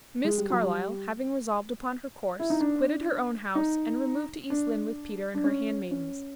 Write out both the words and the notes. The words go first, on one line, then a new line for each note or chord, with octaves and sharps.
Miss Carlyle, having resolved upon her course, quitted her own house, and removed to East Lynne with Peter and her handmaidens.
G#3
G3
F#3
G3
E4
D#4
D4
D#4
D4
D4
C#4
C#4